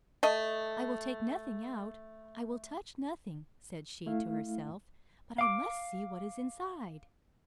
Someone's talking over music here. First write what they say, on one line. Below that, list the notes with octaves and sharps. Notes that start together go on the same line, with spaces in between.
"I will take nothing out, I will touch nothing," said she to herself, "but I must see what is inside."
A3 D#5
A3 E4 F5
F5 D6